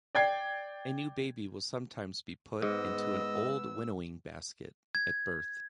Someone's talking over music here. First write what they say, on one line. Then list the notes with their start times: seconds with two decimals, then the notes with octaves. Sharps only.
A new baby will sometimes be put into an old winnowing-basket at birth.
0.15 D5 G5 G#6 C7
2.62 G#2 G#3 B3 D#5 E6
4.95 G#6